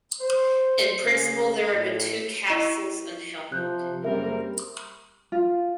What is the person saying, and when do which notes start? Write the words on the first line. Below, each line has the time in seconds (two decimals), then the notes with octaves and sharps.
In principle there have been two castles in Helmond.
0.21 C5
1.04 C#3
1.70 A2
2.50 E4 D#5 C#6
3.52 C3 F3 F#6 G6
4.05 F#2 C#3 G3 A#3 C4 A#4 E5
5.32 F4